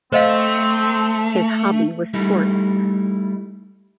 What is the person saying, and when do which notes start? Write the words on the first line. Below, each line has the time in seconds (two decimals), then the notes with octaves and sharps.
His hobby was sports.
0.12 A3 C4 C5 D#5 F5
2.14 G3 A3 D#4 E4